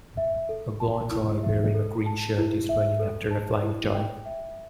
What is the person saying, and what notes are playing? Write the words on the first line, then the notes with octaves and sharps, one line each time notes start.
A blond boy wearing a green shirt is running after a flying toy.
E5
A4
A5
E4
E5
A4
A5
E4
E5
A4
A5
E4
G5
E5